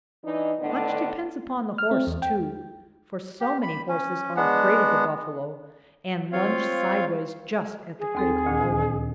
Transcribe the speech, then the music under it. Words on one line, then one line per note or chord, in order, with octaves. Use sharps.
Much depends upon the horse, too, for so many horses are afraid of a buffalo, and lunge sideways just at the critical moment.
E3 D4 D#4
A2 D3 D#3 B3 D4
F6
C4
E2
G5
G4
B5
C#4
G#3 B3 D4 F#5
C4 F4 C#5 F5
G#4
D#2 C4 A4
D2 A#2 D#3